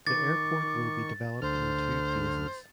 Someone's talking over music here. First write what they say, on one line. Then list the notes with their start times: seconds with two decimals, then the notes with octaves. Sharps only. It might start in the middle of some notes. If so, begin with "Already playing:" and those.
The airport will be developed in two phases.
0.07 D#3 C#6 D6 A6
1.42 D2 D3 C5 F6